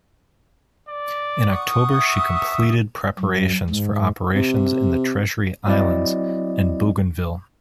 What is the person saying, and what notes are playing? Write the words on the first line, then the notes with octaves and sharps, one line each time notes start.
In October, she completed preparations for operations in the Treasury Islands and Bougainville.
D5
F#5 C#6 D#6
E5
F#2
G#2
C3
F#3 C4 E4 D5 D#5